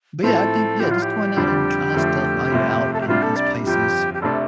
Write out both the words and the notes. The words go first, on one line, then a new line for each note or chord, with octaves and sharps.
but yeah, I think yeah, just going out and trying stuff while you're out in these places
A2 F3 C4 A4
A1 A2 F3 G4
F4
G4
F1 F2 D3 G3 D4
F1 F2 D3 F3 A3
G1 F2 C3 A3
A4
G4
C2 C3 G3 D4 F4
A4
D5
G1 F2 F3 G4
G4
F1 C3 A3 D4 A4